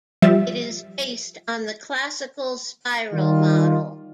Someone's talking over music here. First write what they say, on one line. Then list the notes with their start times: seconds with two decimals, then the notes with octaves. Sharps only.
It is based on the classical spiral model.
0.22 F3 G3 E5 A6
3.13 D#3 G3 F4